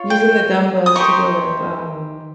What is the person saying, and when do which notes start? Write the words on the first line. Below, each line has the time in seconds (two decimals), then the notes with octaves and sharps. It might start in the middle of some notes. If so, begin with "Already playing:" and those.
using the dumbbells to do, like, um,
Already playing: F4 C#5
0.10 G5
0.86 D#6
0.95 D#4 G4 C5 C#6